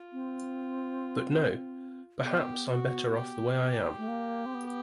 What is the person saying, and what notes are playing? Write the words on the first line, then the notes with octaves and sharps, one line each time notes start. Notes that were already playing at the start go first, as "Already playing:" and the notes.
But no — perhaps I’m better off the way I am.
Already playing: F4
C4
B3 G4
F#4
G4
A3
A#3
C4
B3